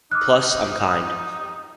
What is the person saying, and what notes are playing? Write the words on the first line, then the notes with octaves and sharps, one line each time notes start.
Plus I'm kind.
D#4 D6 F6 F#6